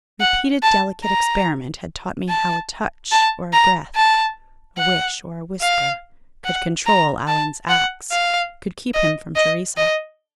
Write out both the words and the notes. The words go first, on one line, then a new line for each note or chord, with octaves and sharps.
Repeated delicate experiment had taught me how a touch or a breath, a wish or a whisper, could control Allan's acts, could keep him from Theresa.
F#5
A5
A#5
A5
A5
A#5
A5
F#5
F5
F#5
A#5
A5
F#5
F5
D#5
D#5
D#5